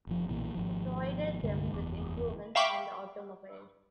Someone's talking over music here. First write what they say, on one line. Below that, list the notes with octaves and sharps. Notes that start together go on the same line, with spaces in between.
He provided them with improvements on the automobiles.
F#1 F3
B1 A#2 E3
G#1 F3
C2 G2 D3 G#3
F#1 E2
E5 F5 G5 B5 C#6 D6